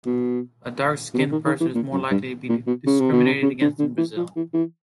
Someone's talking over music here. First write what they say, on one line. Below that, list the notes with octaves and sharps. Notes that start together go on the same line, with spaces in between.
A dark-skinned person is more likely to be discriminated against in Brazil.
B2
B2
C3
D#3
D#3
E3
A#2
F#2
G2
A#2
B2
C#3
C3
B2
C3
C#3
D3
D3
E3
F3
E3
E3